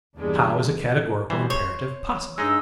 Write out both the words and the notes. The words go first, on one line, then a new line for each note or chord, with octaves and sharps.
How is a Categorical Imperative Possible?
E2 G2 A#2 G3 G#3 D4
E3 G3 C5
C5 C#5
G2 G#3 D#4 D#5 E6